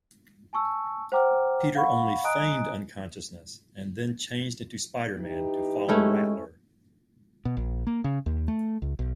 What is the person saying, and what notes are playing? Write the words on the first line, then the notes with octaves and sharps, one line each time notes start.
Peter only feigned unconsciousness and then changed into Spider-Man to follow Rattler.
G#5 A5 C#6 E6
C5 F#5 G5 A#5 D6 F6
F5 F#5 B5 C#6
D#5 G#5 A#5 D#6 F#6 D7
E3 D#4 G4
G#3 A3 C#4 E4
B2
A#1
A#3
C#3
D#2
A3
C#2
B1